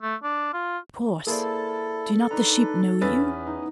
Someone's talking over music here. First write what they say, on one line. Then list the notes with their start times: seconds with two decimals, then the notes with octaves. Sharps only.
"Of course; do not the sheep know you?"
0.02 A3
0.23 D4
0.53 F4
1.27 A#3 E4 G#4 A4 C5 D5 A5
2.31 D4 D#4 B4 A#5
3.01 E2 B3 C#4 B4 E6 A6
3.47 D#4